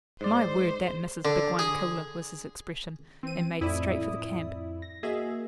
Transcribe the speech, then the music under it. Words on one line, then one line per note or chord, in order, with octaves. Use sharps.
"My word, that missis big one coolah!" was his expression, and made straight for the camp.
G#2 C5 D5
D3
G#4
E3 C4 D#7
F2 A2 E4 D5 D#6
A#6
A#3 F#4 G#4 D#5 E5